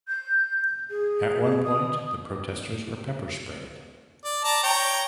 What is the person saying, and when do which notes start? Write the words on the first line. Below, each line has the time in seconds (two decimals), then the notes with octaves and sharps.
At one point the protesters were pepper sprayed.
0.08 G6
0.90 G#4
1.64 D#6
4.25 D5
4.44 D5 A5 A#5
4.63 C#5 G5 A#5